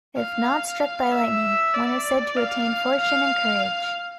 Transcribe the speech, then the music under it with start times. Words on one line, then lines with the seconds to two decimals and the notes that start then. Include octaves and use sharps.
If not struck by lightning, one is said to attain fortune and courage.
0.17 F5
1.11 E5
1.73 D5
2.37 F5
3.00 F5